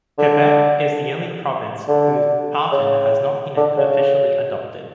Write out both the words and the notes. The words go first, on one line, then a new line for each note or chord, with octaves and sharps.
Quebec is the only province whose tartan has not been officially adopted.
D3
D3
C#3
D3
C#3